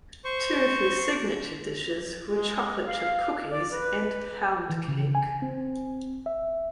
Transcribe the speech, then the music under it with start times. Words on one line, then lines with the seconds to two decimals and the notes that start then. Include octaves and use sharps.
Two of her signature dishes were chocolate chip cookies and pound cake.
0.25 C5 C#6
2.34 G#3
2.87 F5
3.51 D5
3.72 B4
4.70 E3
4.88 C#3
5.15 G#5
5.42 C4
6.26 E5